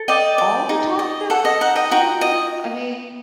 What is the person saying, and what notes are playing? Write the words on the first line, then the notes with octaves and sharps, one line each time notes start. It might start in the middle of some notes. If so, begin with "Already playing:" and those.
All the talk shows do a rehears I mean
Already playing: A4
D5 D#5 G5
D5
D#4
D#5
A4 F#5
D#5
D#4 F#5
D#5 G5
F#4 G5 A#5
D#5